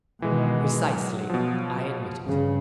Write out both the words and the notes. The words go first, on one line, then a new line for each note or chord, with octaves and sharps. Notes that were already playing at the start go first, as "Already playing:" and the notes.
"Precisely," I admitted.
B2 D#3 E3 G#3 G#4
F#3
B2 F3
G2 C#3